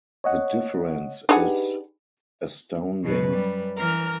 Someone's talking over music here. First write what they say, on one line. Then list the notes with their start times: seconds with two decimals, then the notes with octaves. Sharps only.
The difference is astounding.
0.24 C#5 D#5 F#5
1.29 D4 D#4 G4 G#4 B4 F#5
3.04 F#2 B2 B4
3.34 G3
3.78 E3 A#4 F6